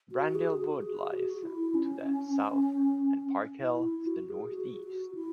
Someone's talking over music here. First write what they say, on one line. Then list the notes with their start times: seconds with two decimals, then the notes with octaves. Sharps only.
Brandhill Wood lies to the south and Park Hill to the northeast.
0.12 F#4
0.35 G#4
0.58 F#4
0.82 G#4
1.13 F#4
1.44 E4
1.75 C#4
3.59 E4
3.84 E4
4.07 F#4
4.30 G#4
4.53 F#4
4.84 F#4
5.15 E4